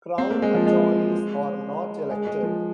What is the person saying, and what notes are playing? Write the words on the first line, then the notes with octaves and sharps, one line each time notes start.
Crown Attorneys are not elected.
C4
A#3
G#3
F3
G#3
G#3
G#3
F3